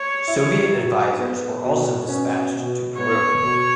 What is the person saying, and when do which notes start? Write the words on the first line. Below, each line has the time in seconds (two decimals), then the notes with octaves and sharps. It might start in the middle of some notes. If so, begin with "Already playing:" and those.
Soviet advisors were also dispatched to Peru.
Already playing: C#5
0.28 E4
0.74 F#3
1.19 B3
1.64 B2
2.08 C#4
2.54 B2
3.00 B3 C#5
3.44 B2